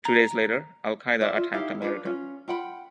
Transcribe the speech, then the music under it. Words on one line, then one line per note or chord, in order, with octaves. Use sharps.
Two days later, Al Qaeda Attacked America.
A#5
E4 C5 D5 E5
F4
D#4 E4 G4 F5
D4 F4 B4
C#4 F4
F4 F#5 G5 B5